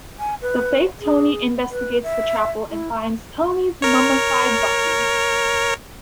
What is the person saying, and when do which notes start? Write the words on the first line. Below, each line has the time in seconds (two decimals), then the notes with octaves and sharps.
The fake Tony investigates the chapel, and finds Tony's mummified body.
0.19 G#5
0.42 B4
1.01 G#4
1.71 B4
2.03 E5
2.70 E4
3.82 A#4 C#5